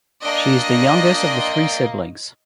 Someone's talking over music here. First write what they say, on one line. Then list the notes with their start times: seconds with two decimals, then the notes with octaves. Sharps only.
She is the youngest of the three siblings.
0.25 A#3 D4 D5 D#5 G5 C6